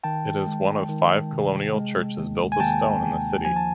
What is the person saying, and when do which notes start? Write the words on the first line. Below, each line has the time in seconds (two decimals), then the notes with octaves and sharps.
It is one of the five colonial churches built of stone in the city.
0.04 D#3 G5 A5
0.47 G#3
0.89 D#3
1.33 C3
1.75 G#3
2.17 D#2
2.52 G#5
2.60 D#2 G5 A5
3.02 D#2
3.45 F3 G#5
3.56 A5